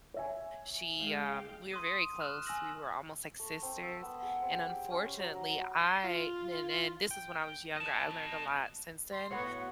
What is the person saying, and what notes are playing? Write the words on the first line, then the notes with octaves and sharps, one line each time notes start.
she, um, we were very close, we were almost like sisters, and unfortunately, I and and this is when I was younger, I learned a lot since then.
C#5 E5 G#5
G#3 F5 G5
C6 D#6 D#7
F6 F#6 E7
G#5 E6 A#6 F#7
A3
C4
E6
B3
G#4
C4
G4
C#4
C5
F#3
A#5
C6
F4
G5
D#5 A5
C6
A2 B3 F#4 B4 C#5 F#5 C#7